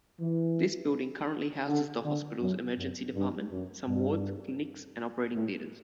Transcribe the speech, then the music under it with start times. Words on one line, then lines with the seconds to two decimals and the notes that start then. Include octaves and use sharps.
This building currently houses the hospital's emergency department, some wards, clinics and operating theatres.
0.20 E3
1.68 D3
2.04 D3
2.41 F#2
2.77 F#2
3.15 G2
3.51 F#2
3.88 G2
5.34 A2